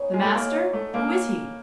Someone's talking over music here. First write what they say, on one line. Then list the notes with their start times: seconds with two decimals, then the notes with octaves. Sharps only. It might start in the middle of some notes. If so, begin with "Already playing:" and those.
"The master?--who is he?"
Already playing: B3 D#4 G#4 C#5
0.14 G#3
0.23 A3
0.34 A#3 B3 D#4 G#4 C#5
0.73 A3
0.93 A#3 C#4 E4 A4 C5